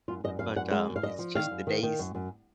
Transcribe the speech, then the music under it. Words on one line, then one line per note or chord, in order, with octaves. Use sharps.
but, um, it's just the days,
F#2 F4
F#2 D#5
F#2 F5
F#2 F#5
G#3 F#5
F#2
F5
F#2 D#5
F3
D#3 F5
F#2
D#3
D#3
F#2
F#2